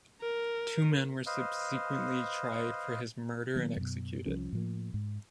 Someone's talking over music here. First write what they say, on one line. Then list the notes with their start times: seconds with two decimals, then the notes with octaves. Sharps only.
Two men were subsequently tried for his murder and executed.
0.21 A#4
1.26 B4 C5 D#5 F5
3.56 D#3 F#3 B3
3.77 F#2 B2
4.26 C2 F3 C#4
4.53 A2 F3 A#3
4.94 G#2